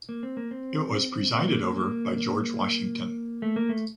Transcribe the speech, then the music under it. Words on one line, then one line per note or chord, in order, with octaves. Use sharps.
It was presided over by George Washington.
A#3
C4
A#3
C4
A#3
A#3
A#3
A#3
A3
A#3
A3